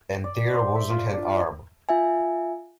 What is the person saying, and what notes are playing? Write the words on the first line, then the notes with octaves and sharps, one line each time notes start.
And there wasn't an arm!
D5
C5
E5
F4
D4
F4 E5 G#5